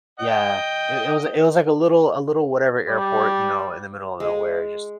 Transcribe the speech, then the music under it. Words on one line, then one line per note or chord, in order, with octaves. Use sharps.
Yeah, it it was, like it was, like, a little a little whatever airport, you know? In the middle of nowhere, just
D#5 G5
G3
G#3